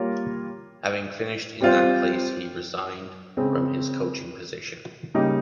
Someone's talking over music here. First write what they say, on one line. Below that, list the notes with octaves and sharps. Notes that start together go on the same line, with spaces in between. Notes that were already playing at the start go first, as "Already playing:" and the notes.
Having finished in that place, he resigned from his coaching position.
Already playing: G3 A#3 F4 A#4 C#5
G3 C4 F4 C5
C#3 G#3 C4
C#3 G3 A#3 D#4 G4